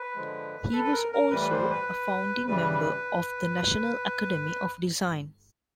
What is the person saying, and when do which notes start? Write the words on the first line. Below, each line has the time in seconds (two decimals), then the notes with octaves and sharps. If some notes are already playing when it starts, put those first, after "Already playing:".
He was also a founding member of the National Academy of Design.
Already playing: B4
0.15 D3 F3 G#3
0.72 A4
0.84 B4
0.92 A#4
1.12 A#4
1.30 A2 E3 G3 B4
1.41 B4
1.50 C5
1.70 B4
2.47 C#3 E3 G3 B4